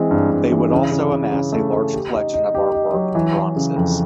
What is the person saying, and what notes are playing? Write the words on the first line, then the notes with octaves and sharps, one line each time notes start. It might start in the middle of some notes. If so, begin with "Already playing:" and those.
They would also amass a large collection of artwork and bronzes.
Already playing: E3 G#3 C4
G2
G2
E3
C#3
C#3
C#3
C#3
A3
A3
G4
D#4
D#4
G4
D#4
F#3
E3
E3
C#3
F2